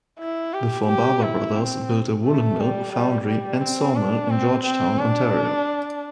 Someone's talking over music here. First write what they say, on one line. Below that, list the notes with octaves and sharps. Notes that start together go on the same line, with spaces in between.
The four Barber brothers built a woollen mill, foundry and sawmill in Georgetown, Ontario.
E4
G4
G4
E4
C4
A3
G3
G3
G3
C4
D4
C4
C4
D4